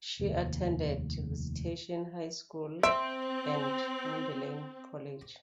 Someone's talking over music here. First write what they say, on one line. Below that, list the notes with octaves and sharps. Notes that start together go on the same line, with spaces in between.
She attended Visitation High School and Mundelein College.
F1 D#2
C4 E5 C6 D7